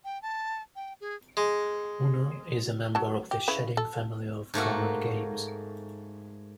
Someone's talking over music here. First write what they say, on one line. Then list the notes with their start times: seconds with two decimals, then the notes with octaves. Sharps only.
Uno is a member of the shedding family of card games.
0.05 G5
0.22 A5
0.75 G5
1.00 G#4
1.37 G#3
2.95 F#3 A5
3.31 G4
3.48 C#3 E4 B4
3.77 A4
4.54 G#2 A3 A#3 F#4